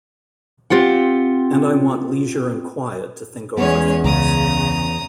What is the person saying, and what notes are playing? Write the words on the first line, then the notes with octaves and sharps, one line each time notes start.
And I want leisure and quiet to think over things.
C4 F4 G4 F#5
E2 G#3 B3 C#4 G#4 C#5
C#2 C#3 A#5 D#6